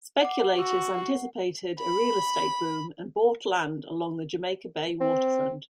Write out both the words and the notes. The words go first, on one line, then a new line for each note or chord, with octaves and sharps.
Speculators anticipated a real estate boom and bought land along the Jamaica Bay waterfront.
F#5 D6
F#4 E6
F#5
B5
C4